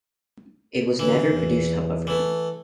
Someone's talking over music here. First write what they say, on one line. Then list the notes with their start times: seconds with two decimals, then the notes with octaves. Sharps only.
It was never produced however.
0.99 D3 E3
1.32 E2
2.07 E3 A3